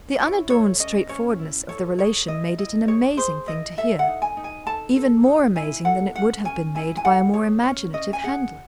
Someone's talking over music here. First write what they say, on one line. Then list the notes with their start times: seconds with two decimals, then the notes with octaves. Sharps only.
The unadorned straightforwardness of the relation made it an amazing thing to hear, even more amazing than it would have been made by a more imaginative handling.
0.20 E4 C#5
0.50 A4 C#5
0.79 C#4 D#5
1.09 C#4 C#5
1.39 E4
1.69 A4 C#5
1.99 G#4 C#5
2.28 E4 D#5
2.58 E4 D#5
2.88 G#4 C#5
3.17 G#4 C5
3.47 E4 D#5
3.77 A4 E5
3.99 F#5
4.08 D#4
4.22 G#5
4.37 D#4
4.44 G#5
4.66 A4 A5
4.96 A4
5.26 D#4
5.56 E4 G#5
5.85 A4 F#5
6.15 C#4 F#5
6.45 C#4 G#5
6.75 E4 G#5
6.97 G#5
7.05 A4 F#5
7.34 G#4 C#5
7.64 C#4 C#5
7.93 C#4 D#5
8.13 G#5
8.24 G#4 F#5